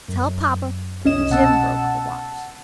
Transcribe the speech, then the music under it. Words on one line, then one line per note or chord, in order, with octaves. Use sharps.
"Tell papa that Jim broke the watch."
F#2
C2 C#4 D#5 E7
B2 F#5 A5 E6